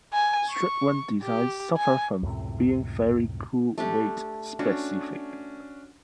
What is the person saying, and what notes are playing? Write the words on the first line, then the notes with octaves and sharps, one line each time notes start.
Strict-one designs suffer from being very crew weight specific.
G#5
C#6
G4
G#5
C#2 F#2 A2 C3
A3 D4 G4
C#4 D4 F#4